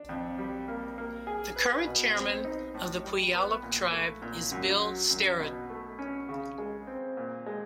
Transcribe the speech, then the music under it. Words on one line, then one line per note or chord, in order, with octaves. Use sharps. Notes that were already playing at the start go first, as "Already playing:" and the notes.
The current chairman of the Puyallup Tribe is Bill Sterud.
Already playing: D4
F2
G3
A#3
A#3
G#4
B4
B2
C4
D#4
A2
G3
B3
A#2
A3
A#2
F#2
F#3
F#2
B2
A3
C#4
C#3
G#3
C4
A#2
G#3